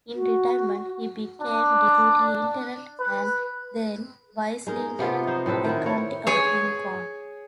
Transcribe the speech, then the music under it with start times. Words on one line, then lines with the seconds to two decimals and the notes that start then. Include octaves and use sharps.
In retirement he became Deputy Lieutenant and then Vice-Lieutenant of the County of Lincoln.
0.15 F#4
1.42 D4
2.99 B4
4.67 G#3 D#4 A#4
4.99 C3 B3 F4 A4
5.27 D#4 C5
5.46 A2 C4 A4 B4
5.65 D#3 E4
5.86 E4 C#5
6.27 G#4 C#5